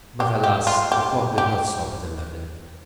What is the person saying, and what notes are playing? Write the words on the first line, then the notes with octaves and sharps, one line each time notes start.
But alas! the clock did not stop at eleven.
G4
G4
F4
G4
G4